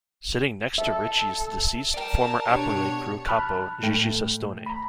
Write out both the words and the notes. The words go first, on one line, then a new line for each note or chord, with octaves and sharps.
Sitting next to Richie is the deceased, former Aprile Crew capo Gigi Cestone.
A4 E5
A#4 D5 G5 A5
B2 D4 G4 C#5
A5 B5 F6 F#6
A2 A3 G5
A#5 B5